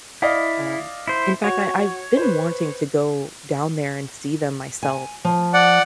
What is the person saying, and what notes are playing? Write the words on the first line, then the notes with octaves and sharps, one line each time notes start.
um, in fact, I I've been wanting to go down there and see them myself,
E4 D5 D#5 F5
E4 C5
F#4 C#5
B4 C5
G#5
F3
D5 F#5